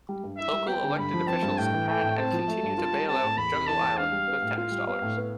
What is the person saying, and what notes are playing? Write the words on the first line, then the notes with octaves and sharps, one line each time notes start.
Local elected officials had and continue to bail out Jungle Island with tax dollars.
G3
G2
E4 E5
G3
B3 G5
D3
G2 B5
F3
C4 A5
G2
A2 G5
E3
A3 G5
A2
C4 A5
F3
A3
G2
F4
G3
C4 A5
A2
E2 B5
C3
E3 A5
E2
D4 F5
G3
B3
A2
F4 F5
G3
B3 F5
A2
B3